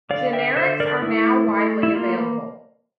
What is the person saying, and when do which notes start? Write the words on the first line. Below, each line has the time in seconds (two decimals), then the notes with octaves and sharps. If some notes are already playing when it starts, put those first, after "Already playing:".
Generics are now widely available.
0.10 D3 D5 F5
0.33 E5 G5
0.56 D3 C5 E5
0.80 A#4 D5
1.02 A3 E4
1.48 A3
1.83 E4
1.95 A#3 F4